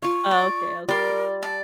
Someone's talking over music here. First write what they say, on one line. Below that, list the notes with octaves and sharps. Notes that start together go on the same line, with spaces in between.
Oh, okay, okay.
F4 F5 C#6
D5
G3 A#4 D5 C6
D5 A5